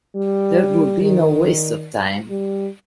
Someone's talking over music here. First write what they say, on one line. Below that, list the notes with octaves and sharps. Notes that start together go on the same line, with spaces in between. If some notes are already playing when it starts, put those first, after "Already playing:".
There would be no waste of time.
G3
D#3
G3